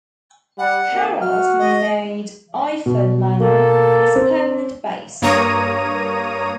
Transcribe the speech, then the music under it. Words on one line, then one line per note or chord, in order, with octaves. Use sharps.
Harold made Iford Manor his permanent base.
G3 F#5
D#3 A#3 C4
F#4 F6
D#5
B2
A#3 A4
C4
G2 A#3 C#5 A#5 D#6 D#7